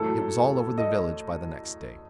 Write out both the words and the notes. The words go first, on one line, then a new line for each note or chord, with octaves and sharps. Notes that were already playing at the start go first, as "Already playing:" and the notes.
It was all over the village by the next day.
Already playing: A2 F#3 A4
D#5